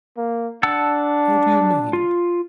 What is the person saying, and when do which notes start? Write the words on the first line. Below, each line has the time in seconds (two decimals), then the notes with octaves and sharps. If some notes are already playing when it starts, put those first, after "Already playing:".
"How do you mean?"
0.17 A#3
0.63 D4 F#5 A5 E6
1.93 F4